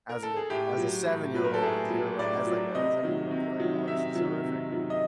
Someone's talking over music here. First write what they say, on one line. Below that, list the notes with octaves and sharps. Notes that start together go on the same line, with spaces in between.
as a as a seven-year-old, you're as li as, like, a seven-year-old, you're like, "Oh, this is horrific,
A#4
A4
G#4
A2 G4
F#3
A2
F#3 B4
A#4
A4
A2 G#4
F#3
A2 D5
F#3
C3 D#5
D#3 F#3
C3
D#3 F#3
C3 E5
D#3 F#3
C3
D#3 F#3
D#5